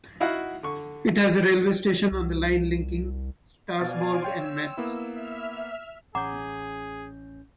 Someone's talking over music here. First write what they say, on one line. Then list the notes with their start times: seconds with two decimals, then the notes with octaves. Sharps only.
It has a railway station on the line linking Strasbourg and Metz.
0.20 D#4 E4 F#4 F5 F#5
0.63 D3 C#6
2.11 C2
3.81 B2 D5 F5 G#5 A6
4.22 C#5 G5 C6 E6
4.77 A#3 B3 E4
5.11 E5 F6
6.15 A1 C#4 G#4 F#5 A#5 D6 G6